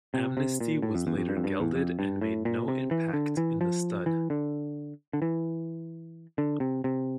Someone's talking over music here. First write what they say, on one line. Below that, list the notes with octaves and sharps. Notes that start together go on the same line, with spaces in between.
Amnesty was later gelded and made no impact in the stud.
C3
C3
A#2
A2
F2
E2
F2
G2
F2
G2
E2
F2
G2
A2
A#2
C3
E3
D3
E3
F3
E3
D3
D3
E3
D3
C3
C3